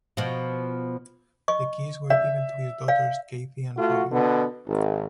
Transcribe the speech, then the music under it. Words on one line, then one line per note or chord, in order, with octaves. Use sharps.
The keys were given to his daughters, Cathy and Robin.
B2 F3
D#5 C#6
D5 E5
D5 F5
A3 F4 F#4
B2 D3 B3
G#1